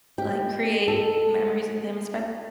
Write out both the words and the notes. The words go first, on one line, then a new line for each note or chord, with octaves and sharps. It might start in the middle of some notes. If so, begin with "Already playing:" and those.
like create memories with him, espe
G4
A4